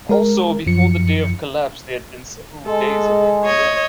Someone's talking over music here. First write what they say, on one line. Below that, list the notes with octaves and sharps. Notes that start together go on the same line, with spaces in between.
Also, before the day of collapse, there had been several days of heavy rain.
G#3 A#4
F#2 F3 C#7
G#3 A4
C#5 D#5